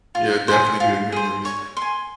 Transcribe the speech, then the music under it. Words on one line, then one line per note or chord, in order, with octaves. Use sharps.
Yeah, definitely good memories.
F4
G#4 C5
F4
G#4 C5
C#5
C6
G#5